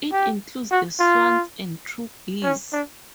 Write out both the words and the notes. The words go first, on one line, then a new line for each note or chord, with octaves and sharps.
It includes the swans and true geese.
G4
F#4
F4
C#4
D4